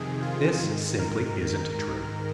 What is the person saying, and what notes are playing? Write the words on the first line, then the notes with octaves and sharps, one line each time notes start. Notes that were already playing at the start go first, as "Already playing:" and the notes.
This simply isn't true.
Already playing: F2 C3 D#3 G#4
F4
G#2 D#3
A#4